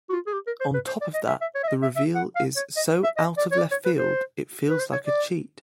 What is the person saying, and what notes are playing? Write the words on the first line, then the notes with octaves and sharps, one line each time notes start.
On top of that, the reveal is so out-of-left-field, it feels like a cheat.
F#4
F4
G#4
G4
A#4
C5
B4
C5
D5
D#5
E5
E5
C#5
E5
D#5
E5
E5
F#5
F5
C#5
D#5
E5
D#5
D5
C#5
D5
C#5
B4
C5
B4
C5
C#5
D5